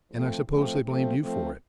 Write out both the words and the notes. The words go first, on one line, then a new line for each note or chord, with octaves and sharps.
"And I suppose they blamed you for it."
F3 A3 C4
F3 A3 C4
F3 A3 C4
F3 A3 C4